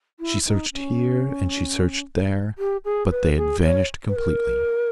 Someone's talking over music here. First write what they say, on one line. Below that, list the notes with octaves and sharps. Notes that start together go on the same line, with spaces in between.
She searched here and she searched there, but they had vanished completely!
E4
D#4
C#4
G4
G#4
B4
G#4
C#5
B4
A#4